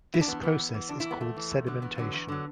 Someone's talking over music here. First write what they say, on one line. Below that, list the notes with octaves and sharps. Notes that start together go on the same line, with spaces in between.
This process is called sedimentation.
E4
D4
E2 B3
E3 B3
E2
E3
E2 D4
E3 E4
B3
E2 A3
E3
E2
D3 F#3
E2 B3
D3 F#3
E2
D3 F#3